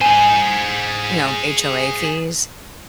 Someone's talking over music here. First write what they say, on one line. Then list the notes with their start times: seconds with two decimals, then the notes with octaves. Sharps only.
you know, HOA fees,
0.01 G#4 C5 G#5